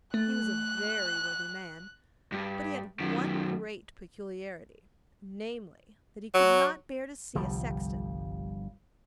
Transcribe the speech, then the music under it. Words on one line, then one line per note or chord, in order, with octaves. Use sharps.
He was a very worthy man; but he had one great peculiarity--namely, that he could not bear to see a sexton.
A3 F#6
G2
F#2 D#3
F#3
G1 C2 F3 G3